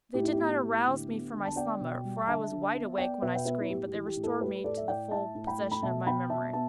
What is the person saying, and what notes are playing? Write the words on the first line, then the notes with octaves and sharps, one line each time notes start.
They did not arouse me from my slumber--for I was wide awake when I screamed--but they restored me to the full possession of my memory.
A2 G4
E4
G4
B3
A2
D3
B3
D3
A5
B3 D5 G5
B2
G3
D3 E5 A5
D3
B3
B3 D5 G5
B2 B4 E5
G5
B3 B4 E5
E4
A2 G4
G4
E3
G4
A2
E4 A4
A3 G4 B4
A2 A4 D5
E5
A2 D5 G5
A2 E5 A5
A2
G5 B5
A3
B5
B2 E5 A5
B3 G5 B5
B2 E5 A5
B3 E5 A5